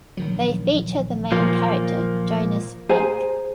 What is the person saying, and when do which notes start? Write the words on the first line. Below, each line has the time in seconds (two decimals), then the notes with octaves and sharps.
They feature the main character Jonas Fink.
0.17 A#1 D#3 F#3
1.32 A#2 F3 A#3
2.89 G#4 C5 G#5 A#5